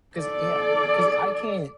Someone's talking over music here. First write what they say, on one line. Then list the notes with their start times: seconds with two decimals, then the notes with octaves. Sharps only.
'cause, yeah 'cause I can't
0.17 A4 D5